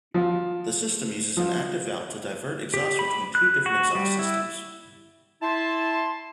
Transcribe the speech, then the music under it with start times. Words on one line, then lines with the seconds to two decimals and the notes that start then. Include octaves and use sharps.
The system uses an active valve to divert exhaust between two different exhaust systems.
0.14 F3
1.37 F3
2.74 G4
2.99 B5
3.35 F#6
3.66 F#4
3.95 G3
4.19 E4
5.42 E4 A5 C6